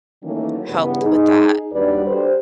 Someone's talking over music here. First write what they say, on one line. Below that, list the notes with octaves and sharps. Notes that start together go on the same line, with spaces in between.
helped with that.
D#3 E3 F#3 A3 A#3 C#4
G2 C#3 E3 B3
D#4 G#4
D#2 G3 D4 F#4 B4 D5
D4 G4 A4 C5